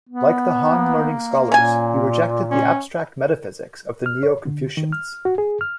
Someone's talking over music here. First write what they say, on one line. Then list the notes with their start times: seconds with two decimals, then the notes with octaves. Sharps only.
Like the Han learning scholars, he rejected the abstract metaphysics of the Neo-Confucians.
0.09 B3
0.70 A#3
1.52 A#2 C#4 G#5
2.51 C#4
4.06 F6
4.23 C#5
4.46 D3
4.77 D#3
4.92 F6
5.25 F#4
5.38 G#4
5.61 F6